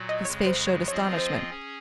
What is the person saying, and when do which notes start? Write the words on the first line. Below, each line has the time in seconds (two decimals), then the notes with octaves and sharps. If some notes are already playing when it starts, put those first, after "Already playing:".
His face showed astonishment.
Already playing: A#2 F#3 F#4
0.09 D#5
0.25 F2 C#3 G#3 C#5
0.46 C5
0.67 C#5
0.88 F3 C4 F4 G#4 C#5 D#5
1.18 C5
1.50 C#4 G#4